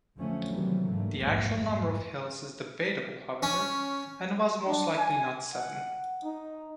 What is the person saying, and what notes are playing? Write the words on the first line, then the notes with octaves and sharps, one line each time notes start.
The actual number of hills is debatable however and was most likely not seven.
F#2 D3 F3 A3 C#4
C3 D#3 E3 F#3 G3 B3
G#2 D3 A3 A#3
F1 A#1 D#2 G#2 G#3 A#3
G#1 G#2
C#4
D4
G#5
F#5
D#4